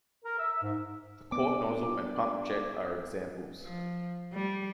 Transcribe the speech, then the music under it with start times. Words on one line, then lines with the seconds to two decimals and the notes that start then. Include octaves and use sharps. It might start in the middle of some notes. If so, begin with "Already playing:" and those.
The Kort nozzle and pump-jet are examples.
0.24 A#4
0.39 E5
0.62 G#2
1.32 G3 B3 D4 D5 D6
3.64 F3
4.33 G3